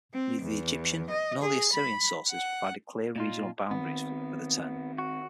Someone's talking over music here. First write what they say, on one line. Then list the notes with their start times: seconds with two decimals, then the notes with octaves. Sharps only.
Neither the Egyptian nor the Assyrian sources provided clear regional boundaries for the term.
0.13 C4
0.43 E2
1.10 D#5
1.42 G#4
1.72 B5
2.29 F#5
3.16 A#2 D#4 F4
3.71 D#3 B3 C4
4.98 F#4